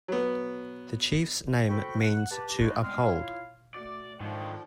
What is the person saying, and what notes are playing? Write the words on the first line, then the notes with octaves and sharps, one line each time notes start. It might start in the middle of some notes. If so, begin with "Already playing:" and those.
The chief's name means to uphold.
F#3 B3
F#4 A4 C5 G5 B5 C#6
F#5
G4 B4 A5
F3 G3 G#3 D#4 F4 F#4
G3 G#3 B3 C4 C6 F6
E4 F4 C#5 F5
A3 F#4 D5
G#2 D3 D#3 F3 D5 G5